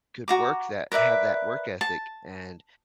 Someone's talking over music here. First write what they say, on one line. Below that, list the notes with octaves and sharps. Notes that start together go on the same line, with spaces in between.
could work that have that work ethic and,
F#4 A#5 D6
A#4 B4 D5 E5
A5